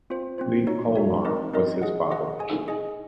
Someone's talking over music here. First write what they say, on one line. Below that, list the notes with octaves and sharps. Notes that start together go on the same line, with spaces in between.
Lee Kohlmar was his father.
C4 F4 C5
C4 F4 C5
D#4 F#4 C#5
D#4 F#4 C#5
C4 D#4 A#4 D#5
C4 D#4 A#4 D#5
G#4 D#5 F#5
G#4 D#5 F#5
G#4 D#5 G#5
G#4 D#5 G#5